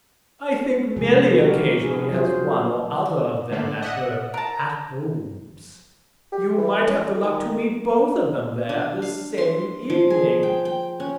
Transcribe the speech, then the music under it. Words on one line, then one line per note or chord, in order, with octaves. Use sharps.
I think Milly occasionally has one or other of them at her at-homes; you might have the luck to meet both of them there the same evening.
C3 F3 G#3 G#4 A4
D4 E4 F#4 G4 A#4
G#4
F#3 F4 G#4 C5 C#5
F#4
D3 A3 A#3 D5
D#5 E5 F#5
A#4 A5 A#5
G4
E3
C#4
A3
D#3
D4
F5
C6
F3
G#4
G5
G5
C#4